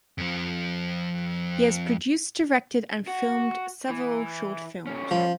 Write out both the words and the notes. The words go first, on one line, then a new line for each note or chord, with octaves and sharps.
He has produced, directed, and filmed several short films.
F2 F3
F#4
E3
E2 C#4
F3